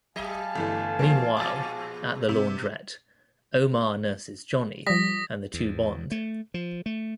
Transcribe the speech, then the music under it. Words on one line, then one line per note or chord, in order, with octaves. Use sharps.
Meanwhile, at the laundrette, Omar nurses Johnny, and the two bond.
F#3 G4 D#5 F5 G#5 A5
G1 E3 A3
G#2 E3 A#3 C5
A#2 F3 G#3 D6 A6
C3
F3 G3 D#6 A#6 B6
E2
A3
F3
A3